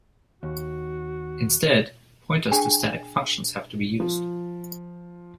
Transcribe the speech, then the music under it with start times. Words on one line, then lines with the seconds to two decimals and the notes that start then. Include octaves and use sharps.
Instead, pointers to static functions have to be used.
0.43 D#2 F#4
2.52 D4 G#4 G5 G#5
4.00 F3